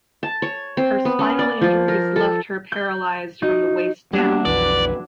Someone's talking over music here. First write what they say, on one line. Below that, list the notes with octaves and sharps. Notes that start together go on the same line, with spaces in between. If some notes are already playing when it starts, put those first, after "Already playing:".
Her spinal injuries left her paralysed from the waist down.
A5
C#5
C4
B3
C#4
D5
F3
A#4
A4
G6
D#4 F#4
F#3 G3 A#3 B3 D4 G4
B1 F2 E3 B4 D5